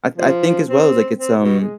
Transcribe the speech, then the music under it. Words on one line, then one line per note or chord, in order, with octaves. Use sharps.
I I think as well, like, it's, um
F3
C4
C4
B2
G#3